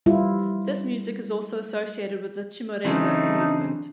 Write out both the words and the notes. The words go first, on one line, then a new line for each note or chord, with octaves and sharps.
This music is also associated with the Chimurenga movement.
G3 E4 F4
C#3 E3 F#3 A3 C4 C#4 D#4
D4